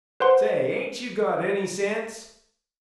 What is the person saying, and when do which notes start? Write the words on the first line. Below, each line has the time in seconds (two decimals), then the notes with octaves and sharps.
"Say, ain't you got ANY sense?"
0.20 B4 C5 F#5 C6